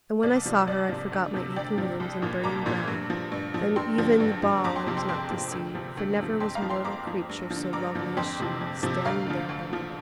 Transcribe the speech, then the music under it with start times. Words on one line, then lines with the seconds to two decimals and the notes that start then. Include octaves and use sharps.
And when I saw her I forgot my aching limbs and burning brow, and even the ball I was not to see, for never was mortal creature so lovely as she, standing there by my bed.
0.23 C2 D5
0.46 C3 F3
0.67 C2 D5
0.89 C3 F3
1.12 D2
1.33 C3 F3
1.56 D2 D5 G5
1.78 C3 F3
2.00 C2
2.22 A#2 F3
2.44 C2 A#5 D6
2.66 A#2 F3
2.88 G2
3.10 F3
3.32 G2
3.54 F3
3.76 G2 G5 C6
3.98 D3 F3
4.20 G2
4.43 D3 F3
4.64 F2 A#5 D6
4.76 G5 C6
4.86 C3 F3
4.97 G5 C6
5.09 F2 G5 C6
5.31 C3 F3
5.52 D2
5.74 C3 F3
5.97 D2
6.18 C3 F3
6.40 F2 G5 C6
6.55 F5 A#5
6.62 F3
6.69 G5 C6
6.85 F2 A#5 D6
7.07 F3
7.29 G2
7.50 F3
7.56 D3
7.73 G2 A#5 D6
7.95 D3 F3
8.17 F2 G5 C6
8.40 C3 F3
8.61 F2
8.83 C3 F3
9.05 D2 F5 A#5
9.27 D3 F3
9.49 D2
9.71 D3 F3